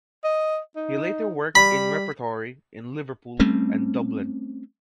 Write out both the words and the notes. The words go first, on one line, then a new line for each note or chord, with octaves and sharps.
He later worked in repertory in Liverpool and Dublin.
D#5
D#4
G3 B5
G3 A3 C4 C#4